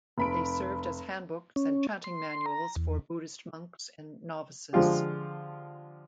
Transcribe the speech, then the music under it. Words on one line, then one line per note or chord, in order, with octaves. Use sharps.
They served as handbooks and chanting manuals for Buddhist monks and novices.
F1 B5 D7
C#4
C6
A#5
E2
D3 F3 G#3 F4 G4